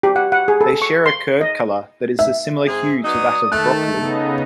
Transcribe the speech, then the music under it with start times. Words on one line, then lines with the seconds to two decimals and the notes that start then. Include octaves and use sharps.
They share a curd color that is a similar hue to that of broccoli.
0.03 G4
0.16 F#5
0.32 F#5
0.48 G#4
0.61 A4
0.82 C#6
1.06 C6
1.41 D#5
2.19 E5
2.67 G#2 C4 G#4
3.05 F#3 B3 D#4 D5 D#6
3.52 D#3 A3 A5 F#6
3.95 C#3 B3 D#4 A4